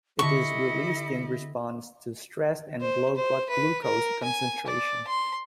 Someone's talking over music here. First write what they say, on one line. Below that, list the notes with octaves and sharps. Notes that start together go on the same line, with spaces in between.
It is released in response to stress and low blood-glucose concentration.
D3 C4 E4 G4 D#5 C#6 C#7
C5
C5
B4
A#4
G#5
D5
C6